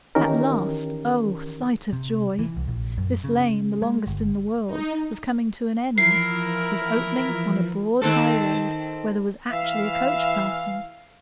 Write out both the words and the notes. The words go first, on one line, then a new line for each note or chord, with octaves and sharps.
At last--oh, sight of joy!--this lane, the longest in the world, was coming to an end, was opening on a broad highroad, where there was actually a coach passing!
D#3 E3 C#4 D#4 G4 A#4
C3
E3
C2
A#1
F#2
C#3
G#3
G1
D#4
E3 F3 E4 A#4 C7
D#3 C4 A4
E3 E5 F5